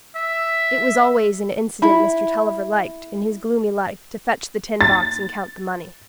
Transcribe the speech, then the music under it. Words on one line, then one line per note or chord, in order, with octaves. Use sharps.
It was always an incident Mr. Tulliver liked, in his gloomy life, to fetch the tin box and count the money.
E5
E4 B5
A6